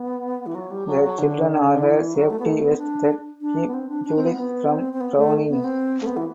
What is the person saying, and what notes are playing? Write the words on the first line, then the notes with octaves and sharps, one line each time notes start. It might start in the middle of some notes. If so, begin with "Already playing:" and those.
The children are her safety vest that keep Judith from drowning.
Already playing: B3
E3
F#3
G3
F#3
F#3
D3
D3
D3
E3
F#3
A3
B3
A3
B3
C4
D4
D4
B3
C4
D4
D4
C4
B3
B3
C4
C4
B3
A3
B3
C4
A3
B3
E3